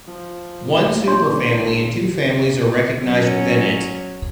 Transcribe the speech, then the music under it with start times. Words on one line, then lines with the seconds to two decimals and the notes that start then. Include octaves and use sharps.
One superfamily and two families are recognised within it.
0.07 F3
0.64 A#2
1.07 D4 C#5 C6
1.49 G#1
3.01 F#3 C#4